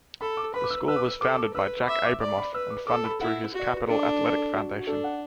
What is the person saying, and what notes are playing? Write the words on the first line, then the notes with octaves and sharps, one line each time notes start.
The school was founded by Jack Abramoff and funded through his Capital Athletic Foundation.
A4 B5
D6
B4 B5
D6
E6
B4 E6
D6
E6
A4 D6
D6
B4 E6
B5
E5 D6
D6
D5 D6
B5
B4 E6
D6
A4 D6
B5
E4 F#5
F#4
D5
B4
D4 A4
A4
A4
A4
F#4
F#4
D4 A4
F#5